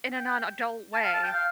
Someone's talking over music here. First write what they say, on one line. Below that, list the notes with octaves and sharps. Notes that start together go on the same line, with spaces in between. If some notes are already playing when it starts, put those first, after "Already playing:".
in a non-adult way,
G5
A5
F5
A5
G5
F5